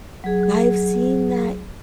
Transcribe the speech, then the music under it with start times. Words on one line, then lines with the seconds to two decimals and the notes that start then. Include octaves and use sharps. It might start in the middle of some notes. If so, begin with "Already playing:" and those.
I've seen that.
0.24 F#3 G#4